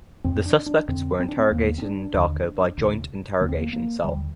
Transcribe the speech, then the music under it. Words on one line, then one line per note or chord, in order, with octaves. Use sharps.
The suspects were interrogated in Dhaka by Joint Interrogation Cell.
F2 C3 C4
D4
D4
F2 D3 C4
C4
D4
C4
D#2 D3 A#3
C4
D4
D#2 D3
D2 C3
D#2 D3 A#3
C4
A#3
A#3
D#2 D3 G3